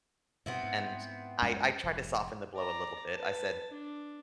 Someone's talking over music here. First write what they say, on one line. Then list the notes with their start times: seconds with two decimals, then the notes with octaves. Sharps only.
And I I tried to soften the blow a little bit, I said,
0.46 G2 B2 B3 C4 E4
0.64 G#2
1.42 F#2 G#3 C#4
1.83 F1 G#2
2.55 D5 A#5
3.14 B4 A5
3.70 D4